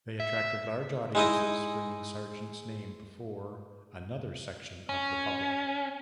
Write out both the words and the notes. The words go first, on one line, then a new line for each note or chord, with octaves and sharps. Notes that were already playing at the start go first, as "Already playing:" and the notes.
They attracted large audiences bringing Sargent's name before another section of the public.
E5
G#3 D#4 E4 D#5
C#4